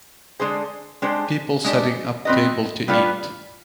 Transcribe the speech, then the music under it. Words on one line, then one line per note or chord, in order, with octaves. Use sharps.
People setting up the table to eat.
D3 G#3 D4 G#4 C5
G#3 D4 G4 C5
G#3 D4 G4
C4 F4 B4 D#5
G3 B3 D4 F4 B4